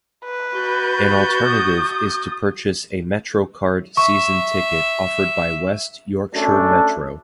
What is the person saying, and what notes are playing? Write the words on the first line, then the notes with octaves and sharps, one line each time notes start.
An alternative is to purchase a 'MetroCard' season ticket offered by West Yorkshire Metro.
B4
F#4 G6 A6
D#6
E5 C#6
F#2 A3 D4